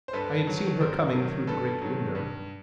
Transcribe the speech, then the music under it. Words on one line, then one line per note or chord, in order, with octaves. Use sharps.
I had seen her coming through the great window.
C5
G2 A4 B4
D#3 F#3
G2 A#4 C5
D#3 F#3
G2 A4 B4
D#3 F#3
G2